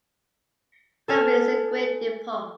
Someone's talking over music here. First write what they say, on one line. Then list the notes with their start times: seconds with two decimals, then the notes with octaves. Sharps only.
Dublin is the great depot.
1.08 A4 G#5 F6